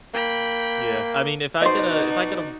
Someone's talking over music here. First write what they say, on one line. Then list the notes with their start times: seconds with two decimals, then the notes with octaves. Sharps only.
Yeah. I mean, if I get a if I get, uh,
0.14 A#3 G5 B5
1.61 B2 D#4 F#4 C5 D5 D#5